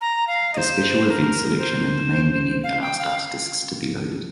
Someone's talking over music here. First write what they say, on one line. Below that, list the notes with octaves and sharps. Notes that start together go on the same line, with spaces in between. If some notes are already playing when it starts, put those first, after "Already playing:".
The special events selection in the main menu allows data disks to be loaded.
A#5
F5
D#5
C5
C5
C5
A#4
C5
F5
G5
F5